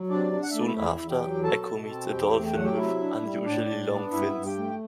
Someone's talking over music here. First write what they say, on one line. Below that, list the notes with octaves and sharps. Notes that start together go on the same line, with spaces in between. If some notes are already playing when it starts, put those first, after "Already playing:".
Soon after, Ecco meets a dolphin with unusually long fins.
Already playing: F#3
C3 D4 D5
D4
F#5
E5
A3 D5
E4 E5
E2 E4 E5
E2
G4 G5
F#3
B2 A4 A5
B2
C4
E2 G4 G5
A3
G5
F#3 F#5
G4 G5
C3 E4 E5
D4
G3
A2 D4 D5
D4
B3
G2 E4 E5
G2
G4 G5
A3